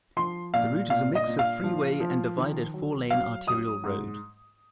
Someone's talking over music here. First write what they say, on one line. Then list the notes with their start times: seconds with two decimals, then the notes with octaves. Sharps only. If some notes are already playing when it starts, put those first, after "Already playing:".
The route is a mix of freeway and divided four-lane arterial road.
0.17 F3 C6
0.54 A#2 F5
0.90 A#2 F5
1.15 D#5
1.27 A#2
1.39 F5
1.64 F3
2.00 F3
2.37 D#3
2.74 F#3
3.11 F#3 F5
3.47 F#3 D#6
3.84 G#2